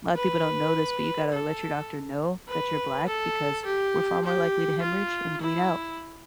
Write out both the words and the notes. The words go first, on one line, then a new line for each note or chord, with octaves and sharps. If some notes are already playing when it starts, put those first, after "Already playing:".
a lot of people don't know this, but you gotta let your doctor know that you're Black, because we're far more likely to hemorrhage and bleed out.
B4
A4
B4
A4
G4
G4
F4
E4